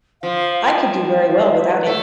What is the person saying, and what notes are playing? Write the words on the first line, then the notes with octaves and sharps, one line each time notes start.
I could do very well without it.
F3 F5
G5
G5
F5
E5
B4
A3 A4